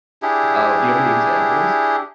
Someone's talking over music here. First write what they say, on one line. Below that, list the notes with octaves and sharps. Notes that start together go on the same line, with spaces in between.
Uh, do you have any examples?
D4 E4 G4 G#4